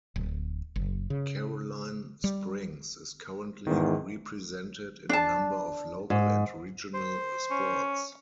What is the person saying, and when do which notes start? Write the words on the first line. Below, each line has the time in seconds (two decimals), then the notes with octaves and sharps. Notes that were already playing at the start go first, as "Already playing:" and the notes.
Caroline Springs is currently represented in a number of local and regional sports.
0.16 D1
0.76 F#1
1.10 C#3
2.24 G3
3.67 E2 G#2 D#3
5.09 D4 A5
6.10 G#2
6.94 C5
7.51 C#4